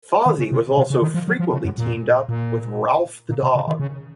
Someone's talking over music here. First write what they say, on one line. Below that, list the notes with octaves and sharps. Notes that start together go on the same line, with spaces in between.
Fozzie was also frequently teamed up with Rowlf the Dog.
D#3
C#3
C3
C3
C#3
D#3
F3
F#3
F3
C#3
F#2
A#2
A#2
A#2
C3
C#3
D#3
C#3